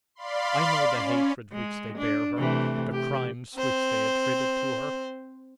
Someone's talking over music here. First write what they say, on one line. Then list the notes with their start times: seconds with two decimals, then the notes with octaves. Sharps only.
I know the hatred which they bear her, the crimes which they attribute to her.
0.15 D5 F5 B5 C6
0.91 C#4
1.53 G#3
1.98 D4
2.37 C3 E3 A3
2.92 G4
3.55 C4 C5